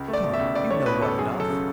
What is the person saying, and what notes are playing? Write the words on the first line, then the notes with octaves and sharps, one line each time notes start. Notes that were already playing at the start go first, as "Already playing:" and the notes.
"Come, you know well enough."
Already playing: C#2
A3
D5
B2
E5
C#2
C#2 D5
A3 C#5
B2 B4
C#2 A4
F#2 G#4
F#3
A4
C#3